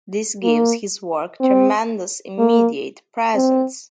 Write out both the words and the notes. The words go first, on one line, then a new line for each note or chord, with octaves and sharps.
This gives his work tremendous immediate presence.
A#3
C4
A#3
C4